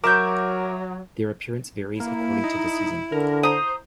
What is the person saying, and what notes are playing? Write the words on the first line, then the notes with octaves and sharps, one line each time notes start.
Their appearance varies according to the season.
F#3 A#4 E5 C#6 D6 G6
A#3 E4
D#4
D3 A#4
C5 A#5 D#6